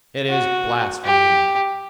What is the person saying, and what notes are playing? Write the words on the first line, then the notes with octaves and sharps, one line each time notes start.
"It is blasphemy!"
F#4
G4